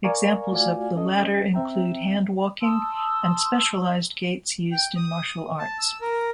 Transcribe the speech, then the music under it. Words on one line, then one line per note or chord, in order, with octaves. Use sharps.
Examples of the latter include hand walking and specialized gaits used in martial arts.
A#4 D5 F5 G#5 A#5 C#6
A3 F4 F#4 D5 F5 G#5
C#4 A4 D#5
C4 E5 G5 A#5
A5 C6 D#6 E6
G5
D#6
A5
E6
A#4